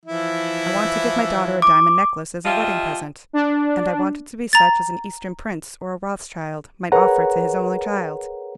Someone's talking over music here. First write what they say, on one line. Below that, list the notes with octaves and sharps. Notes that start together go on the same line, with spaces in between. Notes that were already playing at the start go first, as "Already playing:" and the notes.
I want to give my daughter a diamond-necklace as a wedding present, and I want it to be such as an Eastern prince or a Rothschild might offer to his only child.
E3 F3 E4
D6
F3 F4 G4 D#5 E5
D4
A#5 A6
G#4 A#4 B4 C#5 F#5 A#5